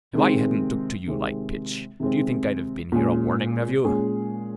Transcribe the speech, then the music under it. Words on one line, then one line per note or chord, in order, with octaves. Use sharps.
If I hadn't took to you like pitch, do you think I'd have been here a-warning of you?
C3 D#3 G#3 C4
C3 D#3 G#3 C4
C3 D#3 G#3 C4
A#2 G#3 C#4 G#4
A#2 G#3 C#4 G#4